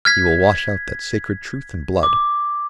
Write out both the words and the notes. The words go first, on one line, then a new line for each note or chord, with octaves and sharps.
He will wash out that sacred truth in blood.
F6 G#6 B6
D6